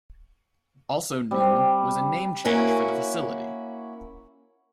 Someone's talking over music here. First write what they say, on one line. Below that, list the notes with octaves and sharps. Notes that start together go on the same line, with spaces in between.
Also new was a name change for the facility.
G3 C4
A#3 C#4 E4 F#4